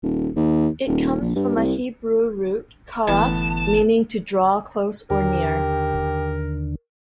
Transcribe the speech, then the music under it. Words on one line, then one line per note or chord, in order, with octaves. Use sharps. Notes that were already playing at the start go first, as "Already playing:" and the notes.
It comes from a Hebrew root, "karav", meaning "to draw close or 'near'".
D#1
D#2
D#1
A#1
G2
C2
G1 A2 E3 B3 A5
D#2 D3 G4 A#4